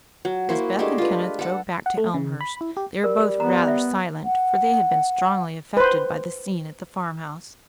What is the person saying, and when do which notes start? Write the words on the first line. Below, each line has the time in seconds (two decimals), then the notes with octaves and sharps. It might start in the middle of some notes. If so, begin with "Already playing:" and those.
As Beth and Kenneth drove back to Elmhurst they were both rather silent, for they had been strongly affected by the scene at the farm-house.
0.25 F#3
0.49 A#3 E4 F#4 C5
0.79 G#3 A3 D4 G4
0.98 F4 B4
1.39 A4 F#5
1.86 F#5
1.98 A3
2.14 C#3
2.41 B5
2.61 E4
2.77 G4
3.04 G3 A#4
3.40 B3 A#5
3.67 E5
4.24 F#5
5.77 B4 C5